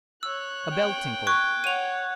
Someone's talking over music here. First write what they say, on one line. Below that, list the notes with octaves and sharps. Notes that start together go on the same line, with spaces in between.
A bell tinkled.
C#5 E6 F#6
G5
C#6 F#6 G#6
C#5 F#5 D#7 F7